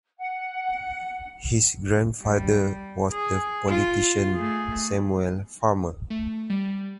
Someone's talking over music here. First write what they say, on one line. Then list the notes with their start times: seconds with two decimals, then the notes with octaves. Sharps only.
His grandfather was the politician Samuel Farmer.
0.18 F#5
2.22 G3
3.12 G#4
3.69 F4
4.35 A3 G#4
6.10 A3
6.50 G3